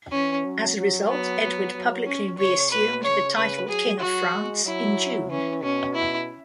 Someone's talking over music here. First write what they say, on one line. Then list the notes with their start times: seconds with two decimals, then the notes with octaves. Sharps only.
As a result, Edward publicly reassumed the title 'King of France' in June.
0.11 E3 C#4
0.45 F#3
0.77 F#3
1.09 F#3 B3
1.42 F#3
1.74 F#3
2.06 C#4
2.38 C#3 C#5
2.71 B2 B4
3.03 C#3 C#5
3.36 C#3 B4
3.68 F#3 G#4
4.00 F#3 F#4
4.33 G#3
4.66 F#3 E4
5.30 E3 C#4
5.63 B2 C#4
5.95 E4